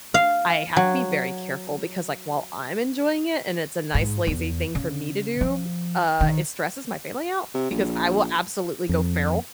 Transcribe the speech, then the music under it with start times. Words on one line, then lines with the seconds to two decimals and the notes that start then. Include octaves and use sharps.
I have to be very careful because, like, while I'm enjoying it and it's a nice, lazy thing for me to do, uh, it stresses my family out because I will absolutely go feral
0.14 F5
0.76 F#3
3.94 G#2
4.27 E2
4.75 C#3
5.41 F3
6.21 D#3
7.54 C3
7.71 A#1
8.89 F2